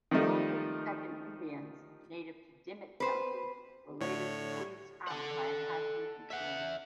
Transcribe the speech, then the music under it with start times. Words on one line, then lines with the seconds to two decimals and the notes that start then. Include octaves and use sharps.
Coahuiltecan Indians native to Dimmit County were later squeezed out by Apache and Comanche.
0.11 D#3 F3 G3 A3 D#4
3.00 B4 C5
4.01 A2 D3 C#5
5.08 A4 F#5
6.31 E5 F#5